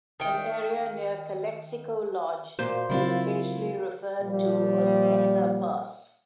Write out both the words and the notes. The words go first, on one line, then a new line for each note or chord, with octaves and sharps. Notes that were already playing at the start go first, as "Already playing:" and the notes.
An area near Calexico Lodge is occasionally referred to as Eckener Pass.
D#3 G5
A#2 F#4 A#4 C5 F5
C#3 F#3 C4 E4 F4
A#2 F3 G3